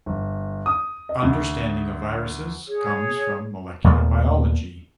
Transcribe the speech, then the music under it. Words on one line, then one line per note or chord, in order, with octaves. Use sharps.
Understanding of viruses comes from molecular biology.
G1
D#6
D#5
D2
G#4 C#5
D#2 A#2 A3 B3